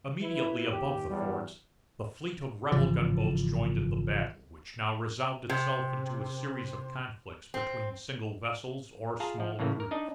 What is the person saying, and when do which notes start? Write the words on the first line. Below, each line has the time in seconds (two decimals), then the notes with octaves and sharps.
Immediately above the forts, the fleet of rebel gunboats joined in the battle, which now resolved itself into a series of conflicts between single vessels or small groups.
0.23 E4 B4
0.71 D#2 G4
1.09 E2 F#3 G3
2.72 G#1 C#3 E3 F3
5.49 C3
7.54 C4
9.20 F4 G#4 F5 A5 A#5
9.40 F3
9.59 A2 C#3 E3 A#3
9.80 A#4
9.91 D4 D#4 D#5